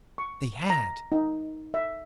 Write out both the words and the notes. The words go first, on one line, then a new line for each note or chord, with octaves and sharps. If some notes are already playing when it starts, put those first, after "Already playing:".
They had!
C#6
A#5
D#4
E5